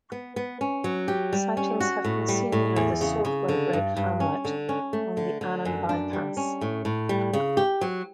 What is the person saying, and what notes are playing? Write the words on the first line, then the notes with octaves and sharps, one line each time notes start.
Sightings have been seen near the Swordwellrigg hamlet on the Annan bypass.
B3
B3
C#4
F#3
G4
G3
C#4
F#4
A2
G3
A2
E2
C#3
C#3
D3
G2
G2
C#4
D3
C#4
A3
D3
D3
F#2
D4
G3
C#4
A2
A2
G3
C#3
G4
F#3